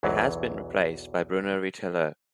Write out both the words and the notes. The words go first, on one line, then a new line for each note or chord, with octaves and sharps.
He has been replaced by Bruno Retailleau.
B1 E2 E3 F#3